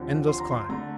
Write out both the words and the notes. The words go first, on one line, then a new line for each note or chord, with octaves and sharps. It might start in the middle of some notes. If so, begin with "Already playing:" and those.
Endless climb.
Already playing: D#2 D3 F3 C4
C6
A#5
C6
D3 A3 A#5